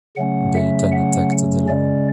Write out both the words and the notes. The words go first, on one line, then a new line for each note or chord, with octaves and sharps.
They then attacked the Luo.
C#3 F#3 A3 C#4 F#5
E5
F#5
C#3 G#3 C#4 D5